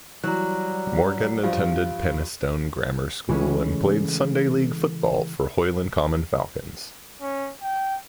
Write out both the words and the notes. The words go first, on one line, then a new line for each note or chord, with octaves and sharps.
Morgan attended Penistone Grammar School and played Sunday league football for Hoyland Common Falcons.
E3 F#3 G3 A#5 F#6
G2 F3 F5
C#3 E3 G#3 A3 C#4
C#4
G5